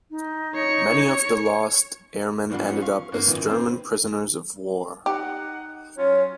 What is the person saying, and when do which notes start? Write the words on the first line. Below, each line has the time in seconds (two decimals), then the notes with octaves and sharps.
Many of the lost Airmen ended up as German Prisoners of War.
0.11 D#4
0.55 C#5 C#7
2.50 G#2 F3 G3 D4 F4 F#4
2.63 B3 C#4 F4 F#5
2.82 F5 C#6
3.12 G#2 A#3 B3
3.26 F#2 A#2 D#3 E3
3.47 C4 B4 C5
5.06 D#4 G4 F#5
5.97 F#3 C#4 F4 C#5